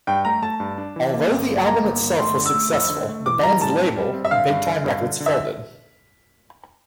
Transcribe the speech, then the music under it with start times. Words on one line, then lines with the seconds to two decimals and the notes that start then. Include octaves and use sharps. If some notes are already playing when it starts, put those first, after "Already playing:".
Although the album itself was successful, the band's label, Big Time Records folded.
0.07 G2 G5
0.25 A3 A#5
0.42 A3 A5
0.60 G2
0.78 D4
0.96 E3
1.14 A#3
1.31 G1
1.49 G2
1.58 A5
1.66 A#3 A#5
1.84 G1
2.01 G1
2.19 A3 C6
2.38 D3
2.46 E6
2.55 A3
2.72 F2 E6
2.90 D3
3.08 A3
3.26 E3 D6
3.43 G3 A#5
3.61 A2 A5
3.78 C4
3.96 G3
4.14 C4
4.25 E5
4.31 D3 F5
4.50 G2
4.66 D3
4.84 G2
5.02 D3
5.20 D3
5.26 E5